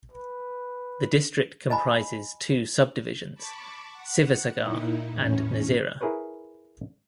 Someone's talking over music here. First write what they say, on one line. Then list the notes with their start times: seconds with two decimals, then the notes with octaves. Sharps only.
The district comprises two sub-divisions - "Sivasagar" and "Nazira".
0.12 B4
1.70 D#5 G#5 A5 B5
3.34 A5 B5 C#6 D6
3.93 F#5
4.55 A#2 D#4 E4
5.11 E2 A2 C#4
6.01 E4 G#4 A#4 B4 C#5